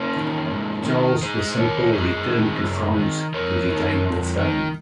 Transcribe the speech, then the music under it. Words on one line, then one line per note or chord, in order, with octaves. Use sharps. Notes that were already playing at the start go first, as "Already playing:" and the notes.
Charles the Simple returned to France to regain the throne.
Already playing: A#3 C#4
D#3
G#2
D#3
G#2 G#4 C5
D#3 A#4 C#5
F#2 G#4 C5
D#3
F#2
D#3
F2 A#4 C#5
D#3
F2
D#3